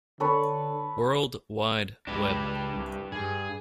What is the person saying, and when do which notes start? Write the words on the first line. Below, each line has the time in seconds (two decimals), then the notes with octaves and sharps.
World Wide Web.
0.20 D3 A4 B4 C#5
2.07 C#2 D4 G4 B4
2.73 C2
3.12 G2 G#4